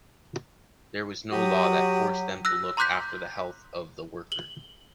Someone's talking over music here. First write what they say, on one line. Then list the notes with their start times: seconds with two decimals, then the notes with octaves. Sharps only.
There was no law that forced them to look after the health of the worker.
1.32 F#3 F#4 G4 D#6
2.45 E6 F#6 A#6
2.77 A#5 C6 D6 F#6 G6 B6
4.32 F#7 G7